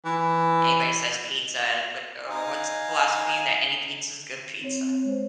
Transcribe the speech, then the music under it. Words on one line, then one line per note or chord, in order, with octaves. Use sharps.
anybody says "pizza," but, uh, w what's the philosophy that any pizza is good pizza?
E3
D#4 F5 G#5
C4 C#5
G#3 C5